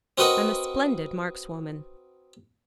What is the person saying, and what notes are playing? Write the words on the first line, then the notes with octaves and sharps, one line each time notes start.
"I'm a splendid markswoman."
C4 F#4 A#4 B4 D#5 F#5